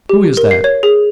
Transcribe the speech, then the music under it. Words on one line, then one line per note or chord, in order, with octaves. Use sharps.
Who is that?'
G4
A#4
C7
C#5
G#4